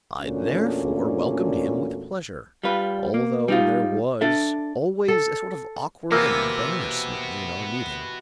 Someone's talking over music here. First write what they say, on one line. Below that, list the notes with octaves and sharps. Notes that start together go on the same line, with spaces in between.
I therefore welcomed him with pleasure, although there was always a sort of awkward embarrassment in our meeting.
E2 A#2 A3 C#4 D4 F#4
G3 F4 B4
A#3
G3 D#4 F4
D4 A4 E5
A4
C3 E3 A#3 B3 F#4 A#4 B4 E6